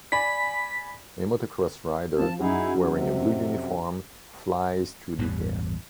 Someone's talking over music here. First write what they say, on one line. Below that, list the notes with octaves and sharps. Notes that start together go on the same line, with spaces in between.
A motocross rider wearing a blue uniform flies through the air.
D5 G#5 B5 B6
F3 C4 A5
F#2 F#3 D#4 E4 G#4
F2 C3
A1 E2 G2 G3